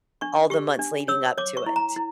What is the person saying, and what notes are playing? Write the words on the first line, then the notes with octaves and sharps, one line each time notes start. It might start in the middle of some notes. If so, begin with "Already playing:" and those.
all the months leading up to it.
D4 C#6
G4 C#6
D4
C#5 E6
C#5 D6
C#6
E4
A#5
E4